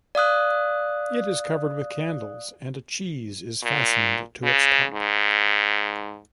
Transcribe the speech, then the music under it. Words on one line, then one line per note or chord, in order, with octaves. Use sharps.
It is covered with candles and a cheese is fastened to its top.
D5 F5 D#6 F#6
A#2
C#3
G#2